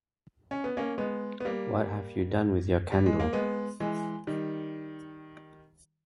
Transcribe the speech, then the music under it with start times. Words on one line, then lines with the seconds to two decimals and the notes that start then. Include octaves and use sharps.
What have you done with your candle?
0.51 C#4
0.64 B3
0.77 A#3 C#4
0.98 G#3 B3
1.40 B3
1.45 G3 A#3
2.92 G3
3.06 G#3
3.20 A#3
3.33 G#3 B3
3.80 E3 G#3
4.27 D#3 G3